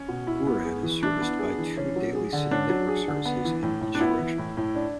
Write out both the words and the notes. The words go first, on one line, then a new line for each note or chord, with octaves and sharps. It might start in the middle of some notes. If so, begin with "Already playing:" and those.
Cooran is serviced by two daily City network services in each direction.
Already playing: C#4
B2
E4
B3
G#4
E3
D4 E4
B3
G#4
E3
C#4
F#3
G#4
D3
C#4 D4
F#3
G#4
D3
B3
E3
A2
A2
D4
B3 E4
E3
A2
A2
D4